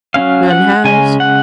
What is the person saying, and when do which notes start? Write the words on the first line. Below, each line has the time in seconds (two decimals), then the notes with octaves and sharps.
"None has."
0.14 F#3 C#4 F5
0.50 F#5
0.84 C#3 G#3 C#4 G#5
1.20 F#5